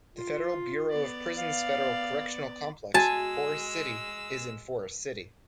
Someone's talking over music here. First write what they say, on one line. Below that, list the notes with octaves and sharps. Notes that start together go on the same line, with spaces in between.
The Federal Bureau of Prisons Federal Correctional Complex, Forrest City is in Forrest City.
F4
B3 D5
F5
G#3 F#4 G#5 A5 E6